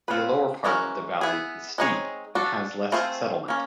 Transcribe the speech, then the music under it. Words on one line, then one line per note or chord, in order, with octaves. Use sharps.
The lower part of the valley is steep and has less settlement.
C4 F4 G#4 B4
E3 G#3 C#4 F#4 A#4
B3 E4 G#4
G#3 C4 D#4 G#4 C#5
D4 F#4 A4
A3 C4 F4 G#4 C5
A#3 C#4